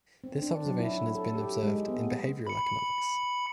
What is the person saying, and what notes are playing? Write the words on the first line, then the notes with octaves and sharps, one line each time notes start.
This observation has been observed in behavioral economics.
C4
D4
F#3
E4
A4
G4
G#3
B3
B5 C#7